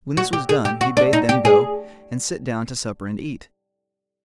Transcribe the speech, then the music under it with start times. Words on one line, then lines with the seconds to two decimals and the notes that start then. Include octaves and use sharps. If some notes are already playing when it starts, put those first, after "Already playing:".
When this was done, he bade them go and sit down to supper and eat.
0.17 F#4
0.33 G4
0.49 G#4
0.65 G4
0.81 F#4
0.97 D4
1.13 D#4
1.29 G4
1.45 G#4